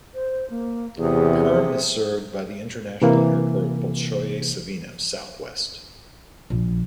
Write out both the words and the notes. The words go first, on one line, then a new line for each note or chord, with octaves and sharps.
Perm is served by the international airport Bolshoye Savino, southwest.
C5
A#3
E2 C3 G#4
C3 E3 A#3
A#1